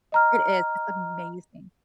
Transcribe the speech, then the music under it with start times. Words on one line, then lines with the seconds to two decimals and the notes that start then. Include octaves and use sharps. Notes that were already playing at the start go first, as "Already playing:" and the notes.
It is, it's amazing.
0.12 D#5 A#5 F6